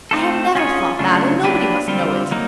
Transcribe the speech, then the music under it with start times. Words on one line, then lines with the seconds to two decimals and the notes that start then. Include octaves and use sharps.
I have never thought that, and nobody must know it!
0.11 A3 C4 F4 A4
0.55 C#4 F4 G#4 C#5
0.99 C#3 F#3 A3 D4 F4
1.44 F#3 A#3 D4 G4 B4
1.88 D3 G3 C4 F4
2.31 F#3 A#3 D#4